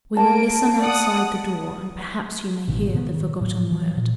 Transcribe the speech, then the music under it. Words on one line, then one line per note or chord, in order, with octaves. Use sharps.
We will listen outside the door, and perhaps you may hear the forgotten word.
A#3 A5 D7
D5 F#5 D#6
A1 B2 D#3
B2 D#3 B3
D#3
A2 F#3
E3 F#3
A#2